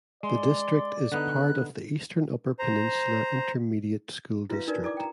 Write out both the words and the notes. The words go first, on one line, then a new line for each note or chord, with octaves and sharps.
The district is part of the Eastern Upper Peninsula Intermediate School District.
G#3 D5 C6
D3 B3 D#4 F#6
C5 A#5
E4 F#4 B4 E5 F5
D4 D#4 A#4 B4 D5
E4 A4 D5 D6
G5 A#5